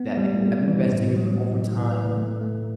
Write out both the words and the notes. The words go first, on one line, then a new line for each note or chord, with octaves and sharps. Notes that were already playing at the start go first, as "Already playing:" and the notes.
that they may not be the best singer, but over time,
Already playing: B3
G3
G3
E3
A2
F#3
A2
A2
B4
A3
A3